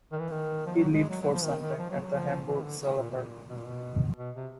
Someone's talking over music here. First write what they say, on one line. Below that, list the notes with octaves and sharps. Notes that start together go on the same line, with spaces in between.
He lived for some time at the Hamburg cell apartment.
D#3
E3
D#3
F3
F#3
G#3
F#3
F#3
F3
D#3
D#3
F3
F#3
F#3
F3
E3
D#3
D3
C#3
A#2
B2
A#2
B2
A#2
B2
B2
C3